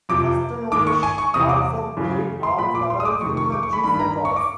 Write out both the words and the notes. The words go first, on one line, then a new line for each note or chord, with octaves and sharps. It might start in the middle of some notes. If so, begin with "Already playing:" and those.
Nastanovich also played on several Silver Jews records.
F2 C3 F3 D6
G#2 D#3 D6
C#6
G#5
C#6
E2 C3 E3 D#6
D6
F#2 C#3 E3
C6
A#2 F3 B5
D6
C6
D#6
D6
F2 C3 D#3 C#6
C#6
D6
C#6
B5
G2 D#3 B5
B5
A#5
C#6
D6